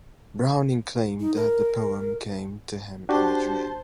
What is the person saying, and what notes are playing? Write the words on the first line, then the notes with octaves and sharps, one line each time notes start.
Browning claimed that the poem came to him in a dream.
D#4
A#4
D4 F#4 G4 C5 A5